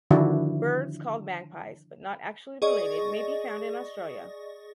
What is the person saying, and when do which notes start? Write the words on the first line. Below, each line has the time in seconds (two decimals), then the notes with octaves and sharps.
Birds called magpies but not actually related may be found in Australia.
0.11 D3 D#3 F3 D4 E4 F#4
2.62 G#4 D5 D#5 C#6